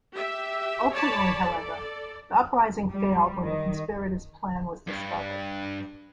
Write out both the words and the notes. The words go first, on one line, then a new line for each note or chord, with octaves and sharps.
Ultimately, however, the uprising failed when the conspirators' plan was discovered.
G4 E5
C#5 D5 A5 B5
A4 D5
G3
D#3
G2